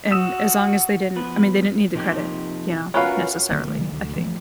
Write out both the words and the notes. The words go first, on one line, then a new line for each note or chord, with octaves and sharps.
And as long as they didn't I mean, they didn't need the credit, you know, necessarily, I think.
F#4 D#6 E6 E7
F3 B3 B4
C3 F3 A#3 D#4 G4
B3 C#4 F4 F#4 A#4 B4 F5
D3 D#3 F#3 A#3
D#3 A3
C3 D#3 F#3
D2
E3 F3 A3